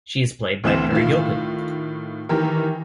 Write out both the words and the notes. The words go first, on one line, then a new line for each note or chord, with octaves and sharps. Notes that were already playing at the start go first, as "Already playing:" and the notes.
She is played by Peri Gilpin.
D2 E3 C4 E7
A2 D#3 F4
D#3 E3 G4 A#4